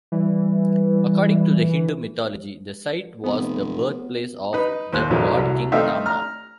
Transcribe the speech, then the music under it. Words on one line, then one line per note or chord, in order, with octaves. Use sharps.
According to Hindu mythology, the site was the birthplace of the God-king Rama.
E3 G3
F1 B3
D#4 B4
D#2 C5 F#6
A#1 F2 A#2 F3 F#3
C2 F#3
A3 C4 D#4 E5 F5 G5
A#5 F6